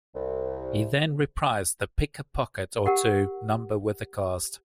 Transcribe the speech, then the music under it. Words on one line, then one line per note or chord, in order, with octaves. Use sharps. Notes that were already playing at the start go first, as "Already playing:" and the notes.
He then reprised the "Pick a Pocket or Two" number with the cast.
C2
G4 A#4 F#5